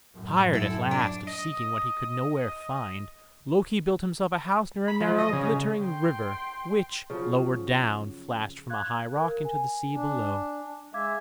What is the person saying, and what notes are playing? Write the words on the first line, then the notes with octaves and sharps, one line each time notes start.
Tired at last of seeking what he could nowhere find, Loki built himself a house near a narrow, glittering river which, lower down flashed from a high rock into the sea below.
F#2 A2
E4 A4
D4
D#5
B5
F3
D#5
C#3
G5 C6
C#3 F3 F#3
F5 F#6 G#6
A#4
G#5
D4
G#3 E5 F5 D6 G#6